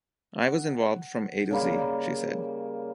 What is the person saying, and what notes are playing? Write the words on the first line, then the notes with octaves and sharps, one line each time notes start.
"I was involved from A-Z," she said.
F#5
C#3 G3 A#3 B5